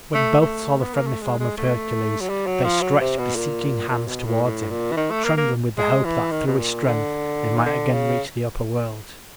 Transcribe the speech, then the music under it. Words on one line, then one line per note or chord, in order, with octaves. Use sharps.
When both saw the friendly form of Hercules they stretched beseeching hands towards him, trembling with the hope that through his strength they might again reach the upper world.
A3
A3
B3
A#3
A3
G#3
G#3
A3
F#3
G3
F#3
F3
F#3
C3
B2
A#2
A#2
B2
A2
A2
A#2
E3
D#3
A3
A#3
A#3
G#3
E3
D#3
B2
A#2
D3
D#3
D3
C#3